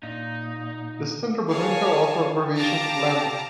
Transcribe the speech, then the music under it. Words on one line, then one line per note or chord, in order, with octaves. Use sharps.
The standard botanical author abbreviation Lamb.
A#2 D#4
G#4 A#4 C#5 F5 G#5 A5
G4 F5 A5 A#5 D6